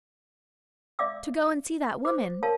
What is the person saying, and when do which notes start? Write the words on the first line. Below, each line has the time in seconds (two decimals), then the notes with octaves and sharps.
"To go and see that woman."
0.99 D5 E5 F5 D6 E6
2.05 C5 D6
2.43 A#4 C#5 F5 A5